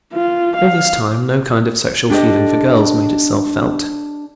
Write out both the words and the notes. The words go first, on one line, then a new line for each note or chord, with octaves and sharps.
All this time, no kind of sexual feeling for girls made itself felt.
F4
F5
D4 G4 A4 D#5